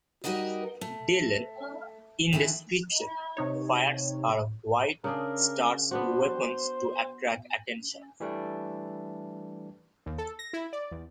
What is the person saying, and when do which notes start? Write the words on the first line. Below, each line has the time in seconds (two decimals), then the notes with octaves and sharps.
Delenn, in desperation, fires her White Star's weapons to attract attention.
0.24 G3 D#4 F#4 A#4 D#5
0.81 A3
2.33 D#3 E3 A3 E4
3.37 C3 D#4 C#5
5.04 C#3 D4 G#4 A#4
5.91 B3 D4 F#4 C5
8.20 E3 G3 A3 D4
10.06 D#2
10.18 A4
10.39 A#6
10.53 E4
10.73 D5
10.91 E2